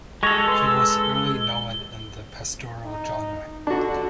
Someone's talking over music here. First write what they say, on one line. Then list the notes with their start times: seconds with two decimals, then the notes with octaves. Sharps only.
He was early known in the pastoral genre.
0.23 G#3 A4 C#6 G#6 A#6 F7
0.47 B4 C6
0.64 E6
1.03 G7
2.84 D#4
3.67 D3 D4 F#4